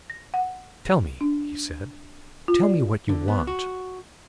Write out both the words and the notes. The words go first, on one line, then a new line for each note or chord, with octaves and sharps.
"Tell me," he said--"tell me what you want?"
A#6
F#5
D4
F4
D5
D3
B3
F#4